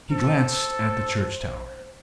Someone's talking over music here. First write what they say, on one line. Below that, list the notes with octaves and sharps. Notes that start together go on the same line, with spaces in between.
He glanced at the church tower.
A4 C5